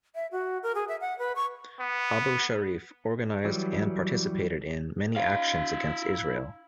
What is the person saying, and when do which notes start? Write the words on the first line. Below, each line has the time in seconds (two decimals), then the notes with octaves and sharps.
Abu Sharif organized, and participated in, many actions against Israel.
0.15 E5
0.32 F#4
0.63 A#4
0.75 G#4
0.88 E5
1.01 F#5
1.19 B4
1.36 C#6
1.80 B3
3.45 E3 F#3 G3
5.16 E4 F5